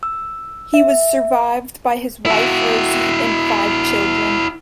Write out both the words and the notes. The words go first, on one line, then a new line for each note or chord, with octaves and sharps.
He was survived by his wife Rosie and five children.
E6
E5
E4 F#4